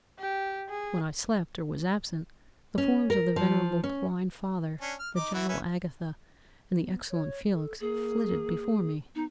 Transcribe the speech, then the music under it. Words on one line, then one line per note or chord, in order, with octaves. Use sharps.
When I slept or was absent, the forms of the venerable blind father, the gentle Agatha, and the excellent Felix flitted before me.
G4
G#4
C#4
A#4
F3
C#4
C#4 D4
F6
D#4 D6
E3 E4 F#4
C#4 B4 E5
B3
C#5
A4
A#3 G#4
B3 D#4